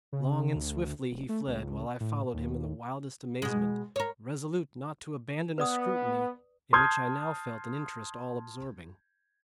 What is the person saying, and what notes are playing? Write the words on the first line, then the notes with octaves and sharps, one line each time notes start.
Long and swiftly he fled, while I followed him in the wildest amazement, resolute not to abandon a scrutiny in which I now felt an interest all-absorbing.
C#3
D2
D1
A3
C#2
A2
D#2
B2 G#3
A#4 C#5
B3 B4 D5 D#6
A5 C6 D#6 F6 G6 G#6